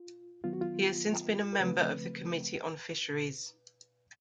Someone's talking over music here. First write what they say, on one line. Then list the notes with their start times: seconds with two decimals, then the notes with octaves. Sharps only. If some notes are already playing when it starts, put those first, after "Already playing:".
He has since been a member of the Committee on Fisheries.
Already playing: F4
0.44 D#3 F#3 B3 F4
0.53 F#4
0.61 F4
1.53 A#4
1.60 C#3 F3 A3 C4 B4